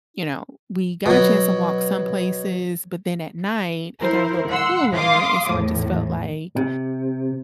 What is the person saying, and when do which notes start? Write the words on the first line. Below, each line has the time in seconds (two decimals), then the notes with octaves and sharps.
you know, we got a chance to walk some places, but then at night it got a little cooler, and so I just felt like,
1.06 B2 F#3
4.00 E4 A#4 C5
4.48 F#5 C6 E6
4.93 F5 C6 D6 D#6
5.48 E2 A2
6.56 C3